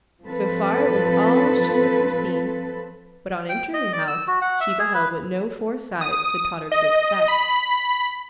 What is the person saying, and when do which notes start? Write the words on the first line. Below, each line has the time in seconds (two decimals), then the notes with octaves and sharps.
So far it was all as she had foreseen; but on entering the house she beheld what no foresight had taught her to expect.
0.24 F3 C4 A4 B4
3.49 G5
3.74 D#5
3.93 D5
4.08 E6
4.27 F#4
4.42 F#5
4.61 E5
4.79 G#4
4.94 B4
6.01 D#6
6.72 D#5
7.28 B5